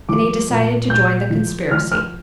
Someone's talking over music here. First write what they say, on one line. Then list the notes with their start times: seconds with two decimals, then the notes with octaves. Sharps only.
And they decided to join the conspiracy.
0.09 F3 D6
0.50 A#2
0.90 A#2 G6
1.30 F3
1.71 F3 F6
1.92 F6